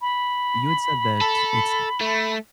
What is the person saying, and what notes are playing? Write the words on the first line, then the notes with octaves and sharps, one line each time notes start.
you had said that it's
B5
A4
A3